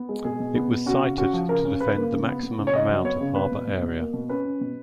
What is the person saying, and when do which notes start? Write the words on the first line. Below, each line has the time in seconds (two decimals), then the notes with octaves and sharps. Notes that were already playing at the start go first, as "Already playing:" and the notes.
It was sited to defend the maximum amount of harbor area.
Already playing: B3
0.09 G#3
0.24 B2 G#4
0.40 B2
0.55 B3
0.71 B2
0.86 C#4 F#4
1.03 C#3
1.18 C#4 F#4
1.33 F3
1.49 C#3 A#4
1.65 C#4
1.80 C#3 B4
1.96 A#3
2.12 C#3
2.27 B3
2.43 B3
2.58 C#3
2.67 C#5
2.73 C#3 D#5
2.89 F#3
3.04 B3 C#5
3.21 C#3
3.35 B2 B4
3.52 B2
3.67 B2
3.82 B2
3.98 A#3
4.13 B2
4.29 C#4 B4
4.45 C#4
4.61 B2